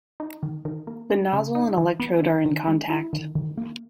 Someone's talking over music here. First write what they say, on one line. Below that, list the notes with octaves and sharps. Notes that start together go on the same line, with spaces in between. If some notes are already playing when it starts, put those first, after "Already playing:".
The nozzle and electrode are in contact.
D#4
D#3
D#3
A#3
G#3
C#3
D#4
E3
B3
D#3
D#3
G#3
E4
D#3
D#3
A#3